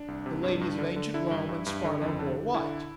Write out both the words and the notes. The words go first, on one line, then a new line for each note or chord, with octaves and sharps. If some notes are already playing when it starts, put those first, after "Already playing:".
The ladies of ancient Rome and Sparta wore white.
Already playing: D4
C2
C3
G2
G2
D3
D3
D3 E4
G2
G2
G2
D3
F2
D3
D3
D3 E4